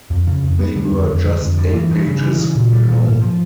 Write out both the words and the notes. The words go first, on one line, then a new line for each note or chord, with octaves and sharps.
They were just eight pages long.
F2
C#3
F2
B3
D3
F2
F2
D3
F2
G2
E3
G2
C#3
E3
C#3
A#2
G3
A#2
G#2
F3